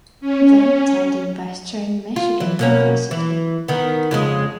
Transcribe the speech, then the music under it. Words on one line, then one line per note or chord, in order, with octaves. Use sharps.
Then attending Western Michigan University.
C#4
F4
E3
B2 A#3 C#4
E3
D#3 B3
F2 C#3 G#3